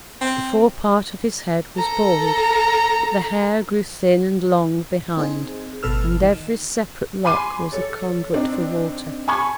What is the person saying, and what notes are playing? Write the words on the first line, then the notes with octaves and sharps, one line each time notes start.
The fore part of his head was bald; but the hair grew thin and long behind, and every separate lock was a conduit for water.
C4
A4 A#5
C4 D#4 G#4
G1 B2 A4 B4 E6 F6
D#3
G#5 B5 C6 D6 D#7
A4 C#5
C4 D4 D#4
G#5 A5 B5 C#6 G#6